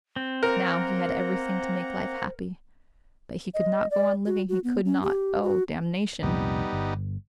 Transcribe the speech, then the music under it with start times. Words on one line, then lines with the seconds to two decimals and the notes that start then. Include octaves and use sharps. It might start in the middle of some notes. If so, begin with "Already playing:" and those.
Now he had everything to make life happy ... but he could not go on living, he could not; oh, damnation!
0.16 C4
0.43 A#3 A#4 C5 F#5 A#5
3.54 D#5
3.91 D5
4.26 F#4
4.49 F#4
4.64 B3
4.85 C#4
5.03 G4
5.43 F#4
6.23 C2 F2 A#2 G3 B3 D#4
6.73 G1